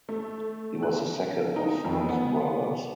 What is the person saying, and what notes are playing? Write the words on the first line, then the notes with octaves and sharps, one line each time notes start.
He was the second of five brothers.
A3
F#6
D#4
F2
B3